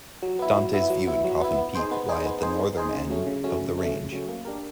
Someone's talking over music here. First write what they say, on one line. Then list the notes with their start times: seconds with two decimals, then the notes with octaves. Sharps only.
Dante's View and Coffin Peak lie at the northern end of the range.
0.23 F#3
0.39 B3 E4
0.57 F#3
0.73 B3 E4
0.90 F#3
1.07 B3 E4
1.24 F#3
1.41 B3 E4
1.58 B3
1.75 D#4 G#4 C5
1.91 B3
2.09 D#4 G#4 C5
2.26 B3
2.42 D#4 G#4 C5
2.59 B3
2.77 D#4 G#4 C5
2.94 C#3
3.10 F#3 A3 C#4
3.27 C#3
3.44 F#3 A3 C#4
3.61 C#3
3.78 F#3 A3 C#4
3.95 C#3
4.12 F#3 A3 C#4
4.29 A#3
4.45 D4 G4 A#4